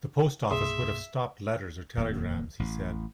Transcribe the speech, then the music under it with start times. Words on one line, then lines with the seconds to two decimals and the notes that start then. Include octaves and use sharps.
"The Post Office would have stopped letters or telegrams," he said.
0.51 C2 G2 B2 A#3 G#4 E5 C6 D#6
1.97 D#1 F2 A#3
2.60 A1